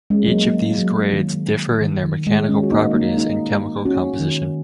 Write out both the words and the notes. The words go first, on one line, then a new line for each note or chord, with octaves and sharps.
Each of these grades differ in their mechanical properties and chemical composition.
G#3 C#4
F#3 A#3
F#3 A#3
F#3
D#3
D#3
D#3
G#3
G#3 C#4
F#4
A#3 D#4
A#3 D#4
A#3 D#4
C#4 F#4
D#3